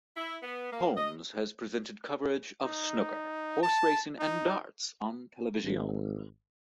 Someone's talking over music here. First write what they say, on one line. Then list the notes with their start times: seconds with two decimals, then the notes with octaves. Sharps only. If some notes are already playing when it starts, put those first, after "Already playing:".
Holmes has presented coverage of snooker, horse racing and darts on television.
0.17 E4
0.43 B3
0.72 A#3
0.97 D#5
2.64 D#4
3.63 A5
4.19 D#4
5.64 G#1